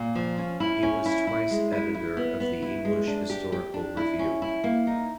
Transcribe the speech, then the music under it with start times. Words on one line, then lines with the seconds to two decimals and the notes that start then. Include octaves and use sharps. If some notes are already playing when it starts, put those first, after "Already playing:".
He was twice editor of the "English Historical Review".
Already playing: A#2
0.15 F3
0.38 C#4
0.60 E4
0.83 C#4
1.06 E4
1.27 E4
1.51 G#3
1.72 E4
1.94 E4
2.17 B3
2.40 B3
2.62 E4
2.85 G#3
3.07 D4
3.30 G4
3.52 G4
3.74 D4
3.97 E4
4.19 C#4
4.42 E4
4.64 A#3
4.87 D#4